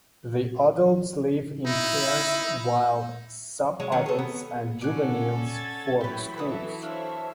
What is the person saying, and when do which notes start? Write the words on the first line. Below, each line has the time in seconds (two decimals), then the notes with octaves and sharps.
The adults live in pairs while subadults and juveniles form schools.
1.66 D#4 E4
3.80 F#3 G#3
3.92 D#3 F#3 C#4
4.06 G#4 A4
4.19 B3
4.81 C#4 A4 D5 F#5 G#5
5.45 G#6 A6
6.01 E3 F#3 E4 G4 B4 C#5 G5 B5
6.38 A4 B4 E5 D#6
6.82 A3 D4 C5 C#5 E5 F5